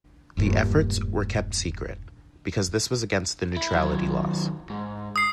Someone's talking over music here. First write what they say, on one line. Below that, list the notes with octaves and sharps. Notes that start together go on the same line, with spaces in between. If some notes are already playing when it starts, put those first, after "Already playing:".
The efforts were kept secret, because this was against the neutrality laws.
E1 D2 G2 A#2
E4
D#3 F#3
G#2
D#6 C7